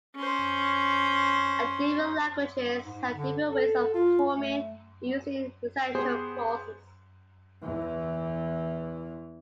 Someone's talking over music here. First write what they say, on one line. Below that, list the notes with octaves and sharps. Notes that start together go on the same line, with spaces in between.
Different languages have different ways of forming and using existential clauses.
C#4 C5
G#2
D3
A4
F4
A3
B3 G4 G#4 C5
E2 E3